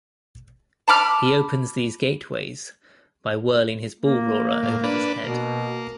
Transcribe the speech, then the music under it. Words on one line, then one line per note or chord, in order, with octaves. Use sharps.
He opens these gateways by whirling his bullroarer over his head.
A5 B5 D6 F6
A#3
A2
D4 B4
B2 A#3